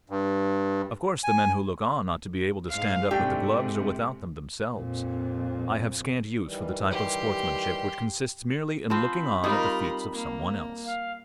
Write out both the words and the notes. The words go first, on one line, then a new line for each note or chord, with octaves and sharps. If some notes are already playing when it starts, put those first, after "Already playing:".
Of course the men who look on ought to be able to stand up with the gloves, or without them, themselves; I have scant use for the type of sportsmanship which consists merely in looking on at the feats of some one else.
G2
G#5
G#2 F5
G#2 C3 A3 D4 G4
F2 A#2
D#3 E3 G3
G4 C6
F3 C4 B5
G3 D#4 F4 A#4
A#3
F5